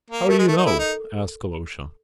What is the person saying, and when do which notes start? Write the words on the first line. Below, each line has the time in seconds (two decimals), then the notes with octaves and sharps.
"How do you know?" asked Alyosha.
0.10 A#3
0.29 A3 A#4
0.39 G#3
0.48 A3
0.57 D#4
0.66 E4 A4
0.79 D#4